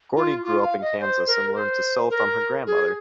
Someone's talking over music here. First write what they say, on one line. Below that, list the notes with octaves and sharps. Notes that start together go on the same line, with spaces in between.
Gordy grew up in Kansas and learned to sew from her grandmother.
F4
F4
F5
D#5
C5
A#4
C5
A#4
G#4